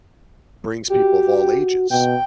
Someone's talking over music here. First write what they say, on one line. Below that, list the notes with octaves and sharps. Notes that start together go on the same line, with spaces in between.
brings people of all ages.
F#4 G4
B2 G5